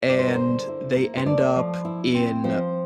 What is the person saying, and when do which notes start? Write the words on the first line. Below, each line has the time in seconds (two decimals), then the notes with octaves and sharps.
and they end up in
0.09 G3 D5
0.19 C5
0.28 A#4
0.35 D3 C5
0.68 E4
0.97 A#3
1.17 C5
1.26 A3 D5
1.56 F3
1.85 E4
2.14 C4
2.44 F3 C5